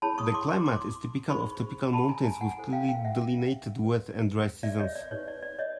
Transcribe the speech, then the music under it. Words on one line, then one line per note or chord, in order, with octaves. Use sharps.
The climate is typical of tropical mountains with clearly delineated wet and dry seasons.
E4 G#4 C#5 A5 B5
C#6 D#6
C6 D6
C6 D6
C6 D6
D#4 G#4 C5 B5 C#6
A5 B5
G#5 A#5
G#5 A#5
F#5 G#5
E4 A4 C5
F5 G5
F5 G5
E5 F#5
F#4 B4
D5 E5
C#5 D#5
D5
D#4 G4 B4 C#5
D5
D5
C#5 D#5